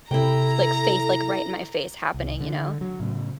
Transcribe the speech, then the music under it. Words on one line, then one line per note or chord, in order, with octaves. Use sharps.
like, face like, right in my face happening, you know?
C3 E4 G4 A4 G5 A#5
C2
D3
F#3
A2 C#3